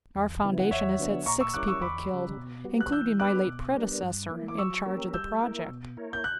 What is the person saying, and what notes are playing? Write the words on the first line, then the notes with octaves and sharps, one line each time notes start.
Our foundation has had six people killed--including my late predecessor in charge of the project.
E2
C#3 E3 B3 E4
F#5
E2 C#5 E5
D3 F#3 B3 D4
A#2 A#5 C#6
C#6 E6
G3 C#4 E4 A#4 D6 F#6
C#6 E6
E2 B5 D6
C#3 G3
B2
G3 B3 F#4
F#6
E3 E6 G6
B3 D4 G4 B4 D6 F#6
B2
G3 B3 D4 A#4
G2
E3 A#3 E4
D6
F#3 C#6 E6
A#3 C#4 G4 A#4
G3 E6 G6
A#3 E4 A#4
B2
A#3 E4 A#4 C#5
G6
F#6